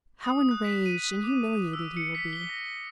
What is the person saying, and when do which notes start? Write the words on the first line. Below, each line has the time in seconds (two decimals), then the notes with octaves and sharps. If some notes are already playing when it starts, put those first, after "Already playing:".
How enraged and humiliated he will be!
0.24 D#6
0.51 F#6
0.64 B6
0.86 D#7
1.24 D6
1.73 E6
1.97 C#7
2.15 B6
2.33 G7
2.49 A#6